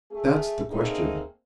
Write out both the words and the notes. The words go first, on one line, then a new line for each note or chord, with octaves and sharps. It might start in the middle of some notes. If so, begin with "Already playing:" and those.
That's the question.'
A3 G#4
A3 A#3 C4 D#4 G#4